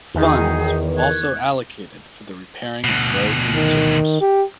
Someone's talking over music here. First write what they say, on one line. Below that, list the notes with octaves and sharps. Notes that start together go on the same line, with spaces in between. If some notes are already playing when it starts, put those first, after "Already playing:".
Funds were also allocated for the repairing of roads and sewers.
E2 D#3 D#4 F#4 G#4
C#6 F#6 G#6
D2 B2
D#3
G4